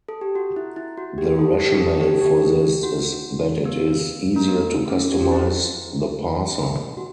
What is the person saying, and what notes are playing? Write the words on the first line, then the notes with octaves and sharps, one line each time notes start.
The rationale for this is that it is easier to customize the parser.
A4
G4
F#4
E4
E4
F#4
G4
A4
G4
A4
G4
A4
G4
F#4
B3
A3
B3
C#4
G4
F#4
E4
F#4